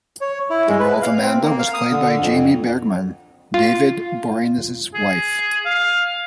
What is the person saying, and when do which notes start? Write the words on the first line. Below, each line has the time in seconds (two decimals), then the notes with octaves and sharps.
The role of Amanda was played by Jaime Bergman, David Boreanaz's wife.
0.21 C#5
0.50 E4
0.68 G#3
0.79 B4
1.02 F5
1.22 C4
1.41 A#3
1.59 F5
1.74 D#6
1.91 D3
2.20 F2
3.54 F4
4.94 G#4
5.66 F5